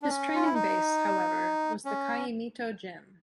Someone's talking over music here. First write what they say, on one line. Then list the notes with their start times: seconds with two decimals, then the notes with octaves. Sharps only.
His training base, however, was the Caimito Gym.
0.03 D4
0.09 C#4
0.35 F4
0.45 E4
0.54 D#4
1.85 C#4